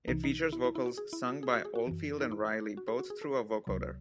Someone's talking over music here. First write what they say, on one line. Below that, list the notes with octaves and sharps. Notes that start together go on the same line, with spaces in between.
It features vocals sung by Oldfield and Reilly, both through a vocoder.
C2 C3 E3 D#4
D#4
E4
E4
E4
F#4
G#4
E4
F#4
G#4
F#4
G#4
F#4
F#2 E3
D#4
E4
F#4
G#4
F#4
G#4
A4
C#2 C3 F#3